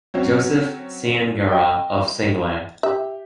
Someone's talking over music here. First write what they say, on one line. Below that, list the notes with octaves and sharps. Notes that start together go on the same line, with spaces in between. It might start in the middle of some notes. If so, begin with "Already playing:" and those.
Joseph Ciangura of Senglea.
F#3 C4 C#4
D#5 G5
G4 E5